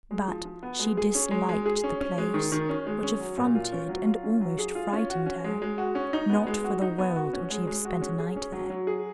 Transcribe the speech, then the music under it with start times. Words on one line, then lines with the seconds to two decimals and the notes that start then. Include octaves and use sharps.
But she disliked the place, which affronted and almost frightened her; not for the world would she have spent a night there.
0.11 G#3
0.28 F3
0.45 F3
0.63 B3
0.79 G#3
0.97 G#4
1.15 C#4
1.31 G#3
1.49 G#3
1.66 G#4
1.84 C#4
2.01 C#4
2.18 G#3
2.34 D#3
2.52 D#3
2.69 C#4
2.87 G#3
3.04 C#4
3.20 F#3
3.37 A#2
3.55 F4
3.72 C#4
3.89 F#3
4.07 F4
4.23 C#4
4.41 F#3
4.59 G#4
4.75 F4
4.93 C#4
5.10 F#4
5.26 C#4
5.44 G#3
5.62 G#3
5.78 F#4
5.95 C#4
6.13 D#4
6.30 B3
6.47 G#3
6.64 F#4
6.81 D#4
6.98 B3
7.16 F#4
7.33 C#4
7.50 G#3
7.67 G#3
7.85 F#4
8.02 C#4
8.19 G#4
8.36 C#4
8.53 F#3
8.70 F#3
8.87 G#4